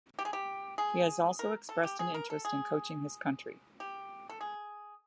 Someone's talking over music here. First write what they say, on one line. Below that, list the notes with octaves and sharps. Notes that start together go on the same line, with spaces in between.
He has also expressed an interest in coaching his country.
G4
G#4
G4
G#4
A#4
A4
G4
G#4
A#4
A4
G#4
G4
A4
G#4